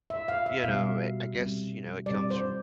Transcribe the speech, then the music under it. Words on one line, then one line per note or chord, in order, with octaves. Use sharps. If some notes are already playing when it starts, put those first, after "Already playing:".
you know, eh, I guess, you know, it comes from
E5
F5
E5
B2 G3 F5
C3 G3
C3 G3 D5
C5